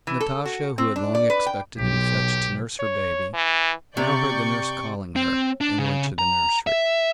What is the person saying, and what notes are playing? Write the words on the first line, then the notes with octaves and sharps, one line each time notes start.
Natasha, who had long expected to be fetched to nurse her baby, now heard the nurse calling her and went to the nursery.
E3
A4
F#4
C4
D4
D5
B4
G5
B1 G4
C#5
E3
C3 D5 C#6 G6
C4
D4
C#3
A#5
E5